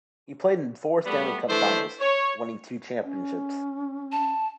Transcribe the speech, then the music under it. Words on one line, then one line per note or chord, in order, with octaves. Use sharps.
He played in four Stanley Cup finals, winning two championships.
G3 A3 B3
E3 A3 D4 C5
C#5
C#4
A5